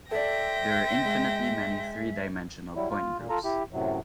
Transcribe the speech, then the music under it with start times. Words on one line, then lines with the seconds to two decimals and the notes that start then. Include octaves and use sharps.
There are infinitely many three-dimensional point groups.
0.11 A4 C5 D5 E5 G5 A#6
1.05 G#3
2.76 F#3 G3 E4
2.90 F4
3.18 A#2
3.30 F4 A4 A#5
3.44 E4 G4
3.72 F#2 A2 C3 F#3